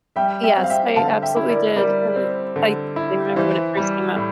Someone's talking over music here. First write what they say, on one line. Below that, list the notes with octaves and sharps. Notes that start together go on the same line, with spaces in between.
Yes, I absolutely did, and I'd I remember when it first came out
G3 E5 G5
E5 G5
C4
F5
E5 G5
D3 F5 A5
E5 G5
E4
A#4 D5
G3 A#4 D5
C4
D3
E4
F5
E3 C5 E5
G3
A2